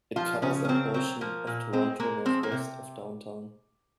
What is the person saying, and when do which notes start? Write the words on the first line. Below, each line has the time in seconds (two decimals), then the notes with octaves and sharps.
It covers a portion of Toronto northwest of downtown.
0.16 F3 F4
0.42 C#3 C#4
0.65 C#4
0.68 F#3 C4
0.94 F#3 C4
1.21 F3 A#3
1.47 A#2
1.73 G#3 C4
2.00 G#3 A#3
2.25 F3 C4
2.43 A#3
2.52 C3